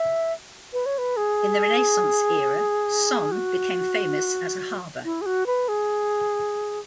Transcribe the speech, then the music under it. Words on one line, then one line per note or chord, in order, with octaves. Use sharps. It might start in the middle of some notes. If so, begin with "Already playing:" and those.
In the Renaissance era, Son became famous as a harbour.
Already playing: E5
B4
C#5
B4
G#4
F#4
E4
G#4
F#4
B4
G#4